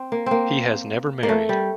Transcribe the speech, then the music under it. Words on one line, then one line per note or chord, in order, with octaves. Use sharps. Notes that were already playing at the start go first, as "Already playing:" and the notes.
He was never married.
Already playing: C4
A#3
A#3 C4
A#3
A3
G3